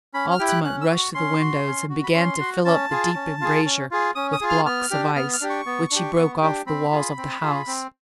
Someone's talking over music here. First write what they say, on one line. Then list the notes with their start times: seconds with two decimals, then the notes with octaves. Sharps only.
Altamont rushed to the windows, and began to fill up the deep embrasure with blocks of ice, which he broke off the walls of the house.
0.14 C#4 B5
0.31 F6
0.39 E4 G4
0.48 F#6
0.64 C#4 F#6
0.81 E6
0.90 F#4
0.98 C#6
1.15 C#4 C6
1.40 F#4
1.66 C#4
1.89 F#4
2.04 B5
2.15 C#4 C6
2.40 F#4
2.65 C#4 A5
2.91 F4 G#4
3.15 C#4
3.41 F4 G#4
3.65 C#4
3.91 F4 G#4
4.15 C#4 D#6
4.33 D#6
4.41 F4 G#4
4.49 F6
4.66 B3 F6
4.91 D4 G4
5.16 B3 F6
5.33 F6
5.41 D4 G4
5.50 C#6
5.66 B3
5.91 D4 G4
6.17 B3
6.42 D4 G4
6.66 C4 B5
6.92 F4 G#4
7.18 C4
7.42 F4 G#4
7.67 C4